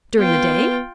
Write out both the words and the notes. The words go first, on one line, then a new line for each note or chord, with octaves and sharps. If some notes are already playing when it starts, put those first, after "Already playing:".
"During the day?"
B3 F4 G5